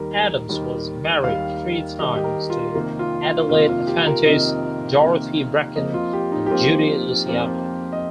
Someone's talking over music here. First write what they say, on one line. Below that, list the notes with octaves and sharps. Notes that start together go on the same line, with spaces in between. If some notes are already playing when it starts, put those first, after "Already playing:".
Adams was married three times, to Adelaide Efantis, Dorothy Bracken, and Judy Luciano.
Already playing: D#2 D#3 G3 A#4
D#2 D#3 G3
D#2 D#3 G3 F5
D#2 D#3 G3 D#5
G4
A#4
F4
F2 C3 D#3 A#3
F4
F4
F2 C3 D#3 A#3 F4
F4
G4
A#4
F2 C3 D#3 A#3 D#5
F2 C3 D#3 A#3
F2 F3 A#3 D#5
F4
G4
D#4
G4
F2 F3 A#3 F4
F2 F3 A#3
D#5